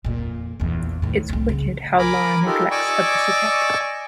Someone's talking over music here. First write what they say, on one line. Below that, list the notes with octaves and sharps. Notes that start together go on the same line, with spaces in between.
It's wicked how Lara neglects her pussy cat.
F2 A#2
A#1 E2
A2 D#3
C2 A3
C#3
A#4 G#5 A#5 B5 D6
D#4 F4 G4 A4 A#4
D5 D#5 G#5 C#6 D6 E6